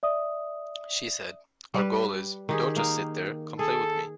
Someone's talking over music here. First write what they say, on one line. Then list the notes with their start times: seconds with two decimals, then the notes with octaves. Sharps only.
She said: "our goal is, don't just sit there - come play with me".
0.03 D5 E5 D#6
1.74 G3 B4
2.49 D#3 G4 G#4
2.76 A#3 D#4
3.59 G#4 A4